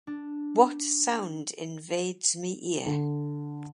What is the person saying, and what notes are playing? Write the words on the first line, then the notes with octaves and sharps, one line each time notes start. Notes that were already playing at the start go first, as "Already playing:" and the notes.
What sound invades me ear?
D4
D3